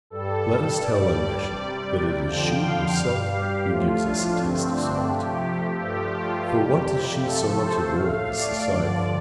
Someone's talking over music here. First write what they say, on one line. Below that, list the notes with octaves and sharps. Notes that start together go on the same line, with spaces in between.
Let us tell ambition that it is she herself who gives us a taste of solitude; for what does she so much avoid as society?
G2 G3 A4
G2 G3 D5
D5
C3 G3
F2 D3 F3 G5
F5
G2 G3
G4
A2 F3 A3 F4
D4
G2 D3 F3 A3 C4
D4
C3 F3 A3 G4
G2 F3 A3 G4
F4
F2 C3 G3 G4
C3 F3 A3 A4
C5
A2 A3 F5
D5
G2 D3 F3 D5